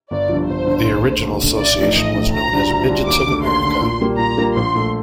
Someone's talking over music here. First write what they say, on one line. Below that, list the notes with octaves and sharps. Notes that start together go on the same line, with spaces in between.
The original association was known as Midgets of America.
G1 D5
G2 D3 F3
G1 C5
G2 D3 F3
D#2
D3 A3
D#2
D3 A3
A1 D5
A2 F3 A3 D#4
A1 D#5
A2 F3 A3 D#4
D2 A#5
D3 G3 D4 F4
D2
D3 G3 D4 F4
D#2 D6
D3 A3
D#2 C6
D3 A3
A#2
G3 A#3 F4
A#2 A#5
G3 A#3 F4
A#1 C6
A#2 A3